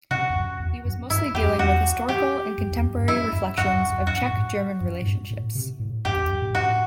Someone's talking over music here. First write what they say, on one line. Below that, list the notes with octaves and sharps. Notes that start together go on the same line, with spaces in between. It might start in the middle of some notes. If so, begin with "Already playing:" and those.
He was mostly dealing with historical and contemporary reflections of the Czech-German relationships.
C3 F#4
E2
F#2
E2
F#2
G2 E4
E2 G4
F#2
E2 F#4
G4
F#2
E2
F#2
G2
F#2 E4
F#2
F#2 F#4
F#2
F#2
E2
F#2 F#4
A2
G2
F#2
A2
G2
A2
C3
A2
F#2 G4
E2
F#2
A2
G2
A2 F#4